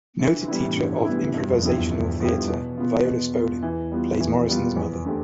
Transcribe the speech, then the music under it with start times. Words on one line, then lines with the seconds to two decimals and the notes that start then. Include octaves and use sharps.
Noted teacher of improvisational theater Viola Spolin plays Morrison's mother.
0.19 D3 E3
0.39 C3
0.48 G3 B3 E4
0.58 A2
0.77 G2 D3
1.05 G3 B3 E4
1.34 G2 C3
1.48 F2
1.62 E2 F3 B3 E4 G4
1.77 E2
1.91 E2 C3
2.20 F2 F3 B3 E4 G4
2.48 E2 B2
2.78 B3 F4
3.05 B2
3.34 B3 F4
3.62 E3
3.91 G3 B3 F4
4.20 F2 E3
4.48 G3 B3 F4
4.76 E2
5.05 D3 A3 C4 G4